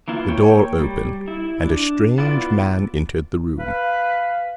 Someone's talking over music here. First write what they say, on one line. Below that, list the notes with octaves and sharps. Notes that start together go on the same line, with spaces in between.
The door opened, and a strange man entered the room.
E3 A#3 E4 F4
A#3 C#5 G5
G3
E4
D4
B3 E4 F4 D5
B4 F5